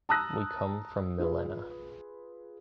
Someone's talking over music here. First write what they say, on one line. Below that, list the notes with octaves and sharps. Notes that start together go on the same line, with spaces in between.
We come from Millena.
A5 A#5 D#6 E6 F#6 A#6
F4 G#4 B4